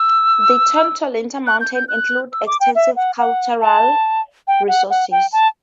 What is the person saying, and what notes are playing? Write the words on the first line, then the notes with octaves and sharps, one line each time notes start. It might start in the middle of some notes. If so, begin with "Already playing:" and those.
The Tortolita Mountains include extensive cultural resources.
Already playing: E6
F#6
G6
G6
F#6
E6
D6
G5
E5
F#5
F#5
A5
G5
F#5
F#5
G5
A5